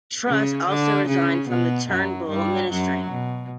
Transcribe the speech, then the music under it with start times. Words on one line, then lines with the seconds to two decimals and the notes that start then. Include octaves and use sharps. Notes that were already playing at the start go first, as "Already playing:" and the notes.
Truss also resigned from the Turnbull Ministry.
0.27 C#3 C#4
0.68 D3 D4
1.08 C#3 C#4
1.49 B2 B3
1.89 F#2 F#3
2.29 G2 G3
2.70 F#2 F#3
3.12 B2